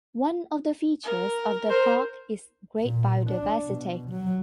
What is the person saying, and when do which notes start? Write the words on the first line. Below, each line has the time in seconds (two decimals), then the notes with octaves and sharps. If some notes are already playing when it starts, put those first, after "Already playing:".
One of the features of the park is great biodiversity.
1.04 A#4
1.70 A#4 C5
2.79 A#2
3.30 D4
3.64 B2
4.11 F#3